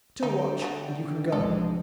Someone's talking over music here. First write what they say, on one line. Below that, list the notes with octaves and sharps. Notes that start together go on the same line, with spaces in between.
Til watch, and you can go.'
D3 D#4 G5
A3 F#4
C2 F3 G#3 D4 A4